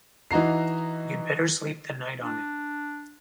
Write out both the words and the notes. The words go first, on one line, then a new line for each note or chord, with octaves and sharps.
You'd better sleep the night on it.
E3 D#4 F#4 A#5 C7
D4